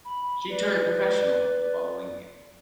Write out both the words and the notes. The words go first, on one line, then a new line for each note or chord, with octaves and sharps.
She turned professional the following year.
B5
B4 D5
D5